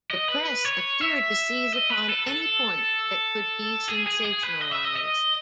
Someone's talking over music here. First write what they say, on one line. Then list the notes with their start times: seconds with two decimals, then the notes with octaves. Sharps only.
The press appeared to seize upon any point that could be sensationalised.
0.11 D#5
0.28 B4
0.65 C#5
1.01 E5
1.73 D#5
1.90 B4
2.09 A4
2.27 A4
3.89 G#4
4.07 G#4
4.25 G#4
4.43 B4
4.61 D#5
4.72 E5
4.85 D#5
4.97 D#5